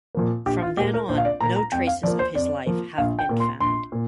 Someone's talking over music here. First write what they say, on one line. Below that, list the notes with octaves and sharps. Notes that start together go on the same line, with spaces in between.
From then on no traces of his life have been found.
A#2 F3 A#3
A#1 G4
F4
A#2 A#3 G4
A#4
A#1 C5
F5
D5
A#2 A#3 A#5
A#5
F2 G5
F5
F3 A#3 D5
C5
F2 D5
F3 A#3
A#1 F5
G5
A#2 A#3
C6
A#1 C6
A#2